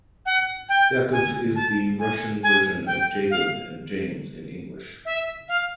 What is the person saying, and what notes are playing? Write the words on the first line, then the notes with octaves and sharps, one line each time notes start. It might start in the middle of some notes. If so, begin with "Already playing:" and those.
Yakov is the Russian version of Jacob and James in English.
F#5
G5
G#5
A5
G#5
G#5
G5
F5
E5
F5